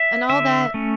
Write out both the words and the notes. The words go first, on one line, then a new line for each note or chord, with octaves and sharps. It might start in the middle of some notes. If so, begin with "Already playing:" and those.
And all that.
Already playing: E5
D3 E5
A3 C#4